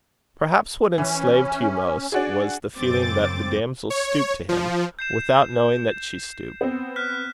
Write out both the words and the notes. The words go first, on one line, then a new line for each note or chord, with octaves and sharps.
Perhaps, what enslaved Hugh most, was the feeling that the damsel stooped to him, without knowing that she stooped.
E3 C#4
D4 F#4 G#4 D5
F#2 C#3 C4 D6 A6
C#5
F3
G6 C7 E7
B3 C4
F6 F#6 B6